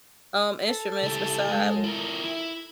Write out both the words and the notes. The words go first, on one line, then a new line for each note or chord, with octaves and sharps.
um, instruments beside
A4
C#3 E4 G4
G#3
E4 F4 A#4
E4